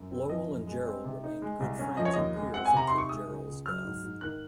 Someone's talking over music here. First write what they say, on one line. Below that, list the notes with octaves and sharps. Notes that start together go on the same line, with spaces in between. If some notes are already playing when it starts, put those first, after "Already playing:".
Lowell and Jarrell remained good friends and peers until Jarrell's death.
Already playing: F#2
C4
F3 D#5
F#2
G#3
C4
C3
D#4
G#3
C2
C#4
F3 D#5
C#5
D#2 D#5
G#3
C4 F#5
G#5
C3 A#5
D#4 C6
C#6
G#3 D#6
C#2
C#2
F#3 F6
G#2
G#2
D#3 F#6